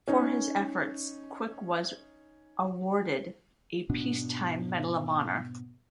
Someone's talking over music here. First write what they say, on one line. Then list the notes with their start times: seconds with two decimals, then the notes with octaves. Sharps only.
For his efforts, Quick was awarded a peacetime Medal of Honor.
0.08 C#4 D#4
3.89 G#2 B2 B3 D4